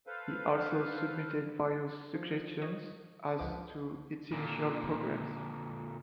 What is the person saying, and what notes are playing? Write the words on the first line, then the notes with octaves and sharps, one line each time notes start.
He also submitted various suggestions as to its initial programs.
A4 B4 C5 F5
F3
C#5 D#5
C#2 F3 B4 D#5 F#5 D6
A#2 D3